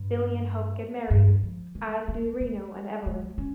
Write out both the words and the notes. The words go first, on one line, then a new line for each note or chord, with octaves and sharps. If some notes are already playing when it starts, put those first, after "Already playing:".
Billy and Hope get married, as do Reno and Evelyn.
Already playing: G2
G2
F3
G#3
A#3
G3
G#3
C#4